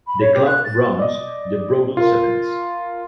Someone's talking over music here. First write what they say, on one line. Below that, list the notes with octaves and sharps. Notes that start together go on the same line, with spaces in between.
The club runs the Broughton Sevens.
B5
C#5
G4
F#6
A6
D5 D#5
F4 A#4